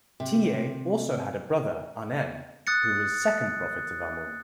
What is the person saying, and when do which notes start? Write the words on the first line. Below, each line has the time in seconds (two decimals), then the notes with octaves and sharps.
Tiye also had a brother, Anen, who was Second Prophet of Amun.
0.20 C3
2.67 D#6 F#6 A6 C#7